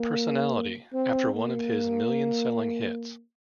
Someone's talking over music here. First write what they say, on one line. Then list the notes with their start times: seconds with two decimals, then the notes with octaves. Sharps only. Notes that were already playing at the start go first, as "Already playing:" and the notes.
Personality, after one of his million-selling hits.
Already playing: A#3
0.93 C4
1.35 A#3